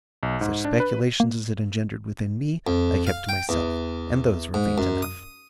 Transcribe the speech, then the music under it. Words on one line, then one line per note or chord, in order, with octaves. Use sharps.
Such speculations as it engendered within me I kept to myself, and those were faint enough.
B1
G#2
D4
B4
A#3
F2
F5
G5
E2
G#2
F#2
D#6